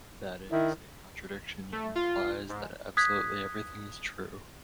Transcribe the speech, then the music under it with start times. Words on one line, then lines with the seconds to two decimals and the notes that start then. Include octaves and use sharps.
That is, a contradiction implies that absolutely everything is true.
0.52 D#3 E4
1.72 A3
1.95 F4
2.49 G#2
2.97 D#6 F#6 G#6 B6